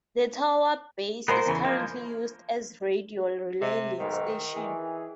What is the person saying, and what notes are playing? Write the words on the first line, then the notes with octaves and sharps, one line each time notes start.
The tower base is currently used as radio relay link station.
A#2 G#3 B3 A#4 C5
E2 C#3 E3
F3 G#3 A#3
C3
B1 G#2 D#3
E3 G#4